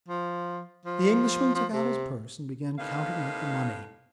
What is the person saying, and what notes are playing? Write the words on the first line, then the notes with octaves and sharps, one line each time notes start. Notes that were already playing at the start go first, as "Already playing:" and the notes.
The Englishman took out his purse and began counting out the money.
F3
F3
F3
C3
A2 C3 A#3 B3 D#4 F5